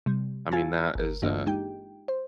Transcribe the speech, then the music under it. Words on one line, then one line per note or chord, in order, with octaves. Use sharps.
I mean that is a
C3 G3
F4 F5 G#5 E6 G#6 A6
G1 A#4
G2 E3 A#3 D4 F4 D#5
G#3 D#4 G4 G5
C5